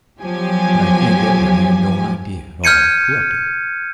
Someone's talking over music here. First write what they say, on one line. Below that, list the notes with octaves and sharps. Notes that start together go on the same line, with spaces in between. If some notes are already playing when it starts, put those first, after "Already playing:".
But I think Edward had no idea at all of corrupting her.
E2 F3 F#3 G4 G#5
F6 G6 G#6 C#7 D#7